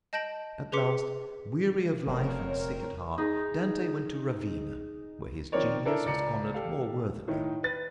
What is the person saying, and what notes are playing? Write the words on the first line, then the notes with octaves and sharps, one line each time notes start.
At last, weary of life and sick at heart, Dante went to Ravenna, where his genius was honored more worthily.
D#5 A5 G6 A#6 D7 F#7
G#4 B4 C6 D6 B6 C#7
F1 F2 A#2 C4 A#4 C#5
D#4 G#4
D#3 F3 C4 A#4 C#5 D5
D4 E4 A4 A#4
C#2 D5 A#5 C#7
G4 A4 F5
A2 D#3 D#4
B4 A6